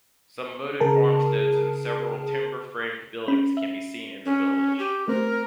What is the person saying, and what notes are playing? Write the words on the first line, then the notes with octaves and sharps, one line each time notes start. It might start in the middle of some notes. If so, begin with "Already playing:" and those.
Some moated farmsteads and several timber-framed buildings can be seen in the village.
C#3 G#4 A#4 A5
C#4 B5
E5
C#4
G4
A3 C4 A#4 C5